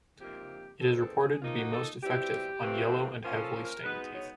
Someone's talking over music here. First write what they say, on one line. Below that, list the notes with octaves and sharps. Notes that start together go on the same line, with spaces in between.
It is reported to be most effective on yellow and heavily stained teeth.
C3 F3 A#3 D#4 G4
B2 G#3 C4 D#4 A4
A4
G#4
F3 A#3 D#4 F4
F#4
A4
B2 G3 C4 E4 G4
C3 E3 A3 C4 F4
F3 A#3 C#4
A4
A#4
B2 G#3 B3 D#4 B4
C#5